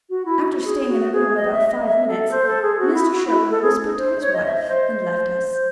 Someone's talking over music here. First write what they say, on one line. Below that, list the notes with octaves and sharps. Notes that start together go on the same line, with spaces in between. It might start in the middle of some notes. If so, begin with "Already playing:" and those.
After staying in the room about five minutes, Mr. Sherwin whispered to his wife, and left us.
F#4
E4
F#4
G#4
F#4
G#4
D#5
E5
D#5
E5
A4
C5
A4
G#4
F#4
E4
F#4
E4
A4
G#4
C5
C#5
D#5
E5
D#5
C5